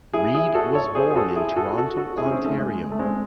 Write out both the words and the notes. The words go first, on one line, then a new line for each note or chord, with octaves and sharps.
Reid was born in Toronto, Ontario.
E4 G#4
E4 G#4
F#4 A4
A4 C#5
G#4 C5
G#4
F#4 A4
E4 G#4
G#4
F#4 A4
F#4 A4
F#4 A4
E4 G#4
C#4
C4 D#4
A3 C#4
G#3
G#3
A3
G#3 C4